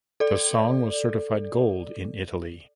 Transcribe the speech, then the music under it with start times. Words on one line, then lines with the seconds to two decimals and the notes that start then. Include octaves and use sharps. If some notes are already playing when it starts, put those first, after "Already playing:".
The song was certified gold in Italy.
0.20 A4 D5